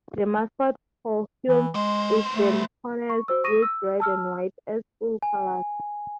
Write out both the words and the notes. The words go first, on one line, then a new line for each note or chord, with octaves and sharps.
The mascot for Hume is the Hornets, with red and white as school colors.
E3
G#3 B3 C5
A3
C#6
F#4 C5 E6
C#6 D#6 A#6 D#7
E6
A5 E6 F6
G#5